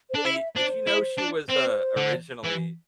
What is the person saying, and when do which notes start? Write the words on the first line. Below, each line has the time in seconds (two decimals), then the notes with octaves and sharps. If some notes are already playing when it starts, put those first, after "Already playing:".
The did you know she was, uh, originally
0.10 C5
0.14 D4 A4
0.23 E4 C5
0.32 E5
0.56 D4 C5
0.87 E4
1.18 D4
1.49 C4 C5
1.97 D3
2.44 E3